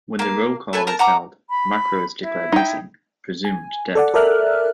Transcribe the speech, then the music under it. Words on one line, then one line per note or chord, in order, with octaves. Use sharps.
When the roll-call is held, Macro is declared missing, presumed dead.
A#3 F5
A3 A4 B4 G#5
A#4 A5 A#5
F#5 A#5 D6
B5
E4
D#4 G5
G#5
A4 D5 F#5
A4 A#4 D5 E5 F6 F#6